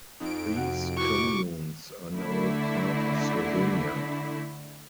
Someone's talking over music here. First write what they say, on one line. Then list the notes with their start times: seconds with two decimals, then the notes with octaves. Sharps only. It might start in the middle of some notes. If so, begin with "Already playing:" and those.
These communes are now part of Slovenia.
0.20 F2 D#4 D7
0.56 C3 F#4 F#5
0.97 E4 F#4 C#6 D6
2.16 D3 A3 E4